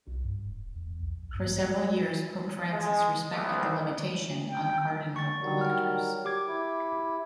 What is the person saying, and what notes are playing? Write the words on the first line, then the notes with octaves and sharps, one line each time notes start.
For several years Pope Francis respected the limitation on cardinal electors.
B1
G2
D1
E2
A#1
G2
G#3
C2
G5
C#6 A6
D#3 F#3 G3
G5 F6
G4 D6 G#6
E4